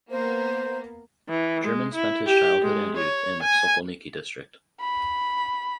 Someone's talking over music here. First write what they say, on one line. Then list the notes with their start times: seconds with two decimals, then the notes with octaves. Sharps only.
German spent his childhood and youth in Sokolniki District.
0.10 A#3 B3 C5
1.28 E3
1.64 G#3
1.94 E4
2.27 G4
2.61 G#3
2.96 C#5
3.43 G#5
4.81 B5